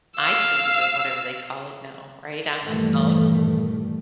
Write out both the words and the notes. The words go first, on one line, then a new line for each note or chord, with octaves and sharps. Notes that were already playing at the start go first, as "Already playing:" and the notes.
iTunes or whatever they call it now, right on my phone."
F5 E6
G2 A#2 D#3 E3 G3 A3